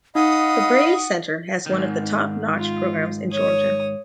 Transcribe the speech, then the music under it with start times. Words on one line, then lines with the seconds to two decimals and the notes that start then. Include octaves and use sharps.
The Brady Center has one of the top-notch programs in Georgia.
0.15 D#4 D#5 F5 F#5 B5 D#6
1.66 G#2 D#3
2.56 F4
3.32 C#5 D#6